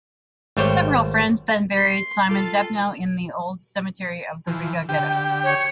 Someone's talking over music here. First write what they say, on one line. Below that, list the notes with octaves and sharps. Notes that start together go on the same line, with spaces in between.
Several friends then buried Simon Dubnow in the old cemetery of the Riga ghetto.
G#1 G3 A3 C5 C#5 G5
C6
F4 A4
E3 F3
D3 G4 G5
C#5